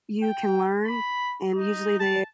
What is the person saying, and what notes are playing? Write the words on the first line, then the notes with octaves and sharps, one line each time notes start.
You can learn, and usually they
G5
B5
D#4
A5